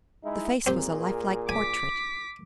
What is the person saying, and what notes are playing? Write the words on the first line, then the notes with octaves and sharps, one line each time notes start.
The face was a lifelike portrait.
G#3 D#4 E4
A#2 C4 G4 G#4 A#4
G#5 D6 B6